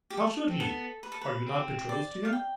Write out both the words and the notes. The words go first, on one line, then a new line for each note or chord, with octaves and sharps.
How should he? Are you not betrothed to him?
G4
A4
C4
B3 A4
B4
A4
B4
C4
D5
F5
G5